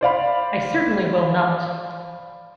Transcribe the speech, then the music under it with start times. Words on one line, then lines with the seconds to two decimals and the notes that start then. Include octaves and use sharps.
I certainly will not!
0.01 C5 D5 F5 B5